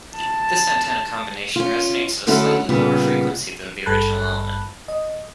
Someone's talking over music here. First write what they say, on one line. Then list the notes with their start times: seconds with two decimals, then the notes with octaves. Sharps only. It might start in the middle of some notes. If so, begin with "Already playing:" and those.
This antenna combination resonates at a slightly lower frequency than the original element.
0.16 A5
1.56 C#4 F4
2.27 D3 F#3 A3 C#4 E4 A4
2.69 A#2 C#3 G3 B3
3.86 G#1 G2 A4 A5 B5 F#6
4.88 D#5